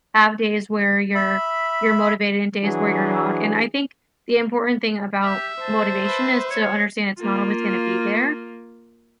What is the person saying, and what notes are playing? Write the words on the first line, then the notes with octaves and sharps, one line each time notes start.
have days where you're you're motivated and days where you're not, and I think the important thing about motivation, is to understand it's not always gonna be there,
E5 B5
E3 F#3 D4 G#4
G4 E5
C5 A5
B4 E5
C#5
A#3 F4